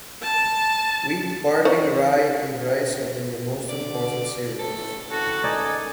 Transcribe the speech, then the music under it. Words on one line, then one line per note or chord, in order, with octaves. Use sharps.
Wheat, barley, rye and rice have been the most important cereals.
A5
D#4 C5 C#5
D3 D5
D#2 A2 C#3 A4
D2 E3 C4 F#4 A4
G#2 D#3 C#4 D#4 D5 G#5